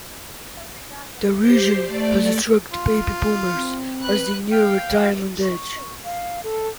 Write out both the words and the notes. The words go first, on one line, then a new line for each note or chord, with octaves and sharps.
The region has attracted Baby Boomers as they near retirement age.
G4 C5 G6 C7
A3 D5
F4
C4
B4 F#6
F5 G5
C#6
F5
A4